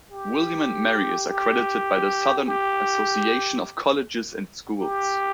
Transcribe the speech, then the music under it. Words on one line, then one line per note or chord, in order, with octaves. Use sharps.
William and Mary is accredited by the Southern Association of Colleges and Schools.
G4
G4
G4
G4